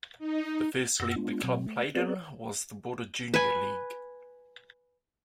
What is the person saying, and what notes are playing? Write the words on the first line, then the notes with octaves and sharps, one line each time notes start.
The first league the club played in was the Border Junior League.
D#4
F#2 F#5 E6 A#6
G#3 B3 D4 F4
B2 F#3 C4
A3
B3 C4 G#4 B4 D5
B4 G#5